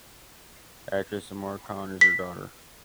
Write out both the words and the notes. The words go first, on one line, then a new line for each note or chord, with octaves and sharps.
Actress Amar Khan is her daughter.
B6